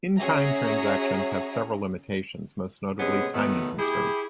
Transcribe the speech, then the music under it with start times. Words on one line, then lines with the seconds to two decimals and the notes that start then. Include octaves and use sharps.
In-kind transactions have several limitations, most notably timing constraints.
0.17 C#4 F#4 G#4 E5 A#5
2.99 A2 C3 G#3 B3 C#4 G#4
3.34 B2 D#3 F#3 A3 B3
3.78 E4 G4 G#4